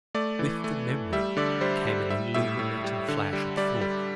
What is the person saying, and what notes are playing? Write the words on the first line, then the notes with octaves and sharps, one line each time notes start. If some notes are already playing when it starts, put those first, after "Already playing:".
And with the memory, came an illuminating flash of thought.
A3 D5
E3
A3
A3
G3 E5
D3 D5
G3 C5
G3
G3 E5
A2 E5
A2
G3
D3
G3
G3 D5
G3